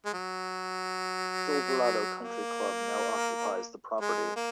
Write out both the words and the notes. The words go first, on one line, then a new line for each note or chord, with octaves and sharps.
Silverado Country Club now occupies the property.
G#3
F#3
A#3
G#3
A#3